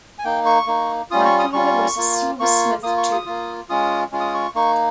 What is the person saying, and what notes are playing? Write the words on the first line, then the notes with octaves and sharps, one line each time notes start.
My father was a silversmith, too.
G#5
A#3 D#4 G5
C#6
A#3 D#4
G3 C#4 F4 D#6
C#6
D#6
G3 C#4 F4 C#6
A#3 F4
A#3 F4 C#6
A#3 F4 D#6
C#6
D#6
A#3 F4
G#3 C#4 F4 D#6
G#3 C#4 F4
D#6
C#6
A#3 D#4 C#6